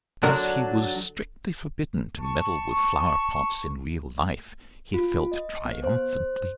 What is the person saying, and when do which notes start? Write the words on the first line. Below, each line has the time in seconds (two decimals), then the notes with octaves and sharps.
As he was strictly forbidden to meddle with flower-pots in real life, he felt triumphantly wicked.
0.23 D3 F#3 D4 A#4
2.19 A5 C#6
4.94 F4
5.32 D#5
5.65 B3
5.84 C5